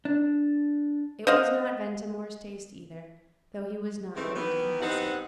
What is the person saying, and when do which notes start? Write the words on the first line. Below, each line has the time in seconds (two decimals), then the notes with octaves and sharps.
It was not Ventimore's taste either, though he was not going to confess it.
0.05 D4
1.27 C5 D#5 F5 F#5
4.16 C3 D#3 E3 G#3 A3 C4
4.35 D#3 E3 B3
4.82 G3 B3 C4 D#4 F#5